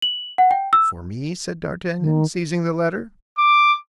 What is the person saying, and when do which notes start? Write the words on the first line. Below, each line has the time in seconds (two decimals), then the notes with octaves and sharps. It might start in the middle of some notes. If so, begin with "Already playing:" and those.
"For me?" said d'Artagnan, seizing the letter.
0.02 F#7
0.38 F#5
0.51 G5
0.73 E6
2.00 D#3
3.38 D6